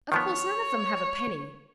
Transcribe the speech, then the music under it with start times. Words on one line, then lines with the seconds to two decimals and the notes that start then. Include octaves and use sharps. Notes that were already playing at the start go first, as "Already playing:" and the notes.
Of course none of them have a penny.
0.12 D#3 F3 B3 C#5